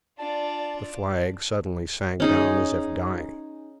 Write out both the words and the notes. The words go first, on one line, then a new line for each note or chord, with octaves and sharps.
The flag suddenly sank down as if dying.
D4 F4 D5 A5
C#4 D#4 G#4